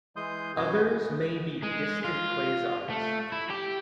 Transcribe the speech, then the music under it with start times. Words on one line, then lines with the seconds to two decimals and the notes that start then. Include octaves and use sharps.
Others may be distant quasars.
0.16 E3 G#3 C6 D#6 G6
0.57 F#2 B2 B3 D#5 G#5 G6
1.63 G#3
2.04 F4
2.90 A3
3.32 E4
3.50 G4